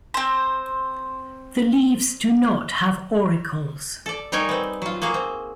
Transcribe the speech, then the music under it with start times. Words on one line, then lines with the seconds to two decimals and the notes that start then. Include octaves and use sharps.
The leaves do not have auricles.
0.14 C4 C5
4.06 A4 D5
4.32 G3 D#4 A#4 C#5 G5 G#5
4.49 B3 C4
4.82 F#3 F4
5.02 A#3 F#4 G#4 F5
5.14 C4